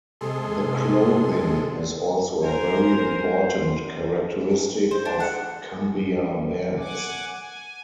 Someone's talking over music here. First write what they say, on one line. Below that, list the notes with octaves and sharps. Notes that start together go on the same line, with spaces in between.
The clothing is also a very important characteristic of cumbia bands.
C3 G#3 G#4 A4 C6
A#4 C5 G#5
C5
D4
F#5
F#5 G#5 D6
G#5